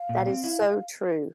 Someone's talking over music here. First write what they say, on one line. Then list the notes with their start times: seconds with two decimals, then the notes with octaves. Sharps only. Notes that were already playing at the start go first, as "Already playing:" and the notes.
That is so true.
Already playing: F5
0.09 A#2
0.27 C4
0.44 E4